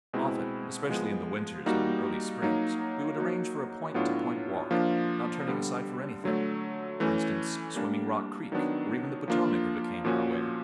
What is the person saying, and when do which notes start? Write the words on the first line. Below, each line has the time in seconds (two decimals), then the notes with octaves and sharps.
Often, especially in the winters and early springs, we would arrange for a point to point walk, not turning aside for anything--for instance, swimming Rock Creek or even the Potomac if it came in our way.
0.13 B2 G#3 C4 E4
0.89 F3 G#3 B3
1.66 G3 A#3 D#4 F#4
2.42 F#3 A#3 D#4
3.18 F#3 A#3 D#4 F#4
3.94 A2 F#3 B3 D4 F4
4.71 F3 A#3 D4 F4
5.48 D3 G3 B3
6.24 D3 F#3 A3
7.00 E3 A3 C#4
7.75 G3 A#3 D4
8.52 D#3 F#3 B3 D4
9.28 F3 A#3 D4 F4
10.05 A#2 F3 A#3 C#4 F#4